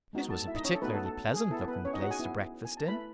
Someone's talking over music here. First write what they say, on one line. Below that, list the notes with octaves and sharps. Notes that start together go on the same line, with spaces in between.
It was a particularly pleasant-looking place to breakfast in.
G#3 B3 D#4 F#4
A4 A5
E4 E5
D#4 D#5
C#4 C#5
A4
A3 B3 D#4 F#4 B4
A4
A4
G#4
B3 E4 A4
B3 B4
C#4 C#5
D#4 D#5
F#4 F#5
G#4 G#5
B3 E4
G#5
A5
A3 E4 B4 B5